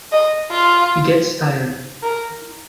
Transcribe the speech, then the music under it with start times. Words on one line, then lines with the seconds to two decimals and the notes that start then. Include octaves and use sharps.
He gets tired.
0.12 D#5
0.51 F4
2.03 A#4